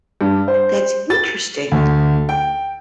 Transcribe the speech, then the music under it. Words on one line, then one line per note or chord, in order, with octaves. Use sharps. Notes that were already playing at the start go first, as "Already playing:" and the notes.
That's interesting.
G2
C5
A6
D2
G5